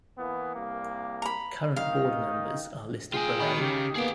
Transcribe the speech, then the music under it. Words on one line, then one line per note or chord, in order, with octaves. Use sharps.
Current Board members are listed below.
E3 A#3 B3
C2 A#3
A#5 B5
D#3 D#4 F5
F4 G#4 G5 G#5
D#3 F#4 B5
C#3 G4
A#3 B3 G#4 G5